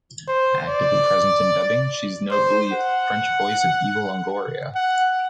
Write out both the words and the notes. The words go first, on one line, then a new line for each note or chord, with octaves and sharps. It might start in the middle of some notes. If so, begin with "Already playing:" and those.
Actively present in dubbing, she’s notably the French voice of Eva Longoria.
C5
D5
C5
F#5
F#5